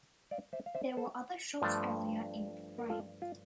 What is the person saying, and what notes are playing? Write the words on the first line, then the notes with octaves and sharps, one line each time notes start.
There were other shots earlier in the frame.
D5 F5
C5 E5
F5
C5 E5
A4 C5
G2 F3 A3 D4
A#4
F4 A4
F4